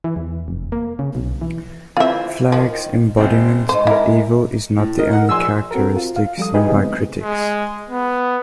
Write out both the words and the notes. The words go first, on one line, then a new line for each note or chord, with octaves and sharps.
Flagg's embodiment of evil is not the only characteristic seen by critics.
E3
E2
F1
A#3
C#3
B1
E3
E3 C4 F4 E5
D#3 F3
G#1 C3 C4 F#4
G#2 D#3 G#3 C5
E4 A#4 D6
A2
D#4 A#4 D#5
F#5
A#1 G#5 C6 E6
C4 F#4 A4 A#4
F4
F5
F3 G3 A4 D#6
D#4 E4 G4 G#4 B4 D#5
C#3 F#3 G#3 A3 B3 C4
G#3
B3